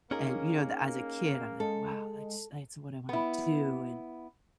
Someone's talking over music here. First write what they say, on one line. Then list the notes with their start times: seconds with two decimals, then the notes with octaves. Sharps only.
And, you know, tha as a kid, I'm like, "Wow, that's that's what I wanna do, and"
0.11 A#3 C#4 D#4 G#4 A#4
1.60 G#3 A4
3.09 B3 E4